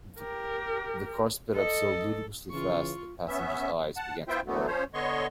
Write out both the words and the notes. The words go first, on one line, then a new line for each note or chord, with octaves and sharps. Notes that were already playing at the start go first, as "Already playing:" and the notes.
The car sped up so ludicrously fast that the passengers eyes began to water.
G4 A#4
A4 D#5
C#3 E3 F4 C#6
B3 C#4 E5
F#5 A5
B3 E4 F4 C5 E5 G5
D3 E3 F#3 A3 B3
F3 C#4 C5 C#5
D3 B3 C#5 D#5 C6 C#6